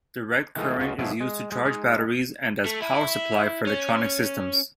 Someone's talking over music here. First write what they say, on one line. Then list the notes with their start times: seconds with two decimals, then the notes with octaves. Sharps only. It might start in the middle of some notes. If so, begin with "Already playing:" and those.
Direct current is used to charge batteries and as power supply for electronic systems.
0.56 D#3 E3 G#3 A3 D#4 F4
0.78 C#2 C#3 F4 F#4
0.99 B2 F3 F#3 E4 G#4
1.20 G#3
1.52 G#3
1.66 G#3 D#4
2.66 A3
2.82 E4
3.67 C#4